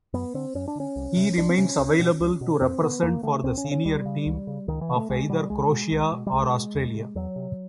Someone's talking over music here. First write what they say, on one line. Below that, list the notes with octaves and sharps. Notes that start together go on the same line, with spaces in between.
He remains available to represent for the senior team of either Croatia or Australia.
F#2 B3
D3 C4
F#2 C#4
D4
D3 C#4
C2
C3
C2 D4
C4
C3 C#4
C#2
B2
C#2
B2
F2 C4
D3 B3
F2 A#3
D3 A3
C#2 C4
C#4
C#3
C#4
C#2 G3
C#3
C#2
C#3
C#2 D#3
E3
C#3
A3
C2 G#3
B2 G3
C2 G#3
B2
C2
B2
G3
C2 G#3
B2
E2
C3
E2 F#3
C3